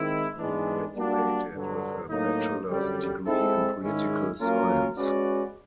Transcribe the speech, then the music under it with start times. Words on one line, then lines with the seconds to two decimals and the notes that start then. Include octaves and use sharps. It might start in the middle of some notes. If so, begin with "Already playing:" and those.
He graduated with a bachelor's degree in political science.
Already playing: D#3 G#3 C4 E4
0.38 G#2 E3 G#3 B3 D4
0.95 G3 A#3 D4 F#4
1.52 G2 D3 F#3
2.10 A2 F#3 A#3 D#4
2.68 F#2 D3 G3
3.25 G#3 C4 E4 A4
3.82 G#2 D#3 G#3 C#4 E4
4.40 F#3 A#3 C#4 F4 A#4
4.96 G#3 C#4 F#4 B4 D5